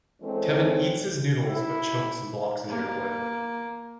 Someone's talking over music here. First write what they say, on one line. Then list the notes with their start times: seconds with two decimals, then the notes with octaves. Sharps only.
Kevin eats his noodles but chokes and blocks his airway.
0.21 E3 G#3 C4 C#4 A4
1.46 E4
2.68 A#3